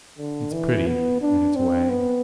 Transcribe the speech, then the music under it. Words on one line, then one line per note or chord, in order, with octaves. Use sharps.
It's pretty in its way.
D3
E3
B3
D4
C4
B3